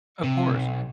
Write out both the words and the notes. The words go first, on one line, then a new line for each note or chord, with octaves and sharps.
Of course.
C3
B1